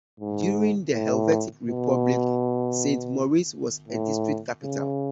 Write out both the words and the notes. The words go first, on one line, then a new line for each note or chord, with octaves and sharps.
During the Helvetic Republic Saint-Maurice was a District capital.
G#2
A2
B2
A2
C#3